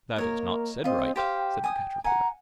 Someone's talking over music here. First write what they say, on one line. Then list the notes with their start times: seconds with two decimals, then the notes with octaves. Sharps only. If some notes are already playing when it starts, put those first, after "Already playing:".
'That is not said right,' said the Caterpillar.
0.16 A#3 A#4 C#5 D#5
0.84 C4 F4 D#5
1.16 G4 C5 F5 G5
1.64 G#5 D#6
2.04 F#5 G#5 A#5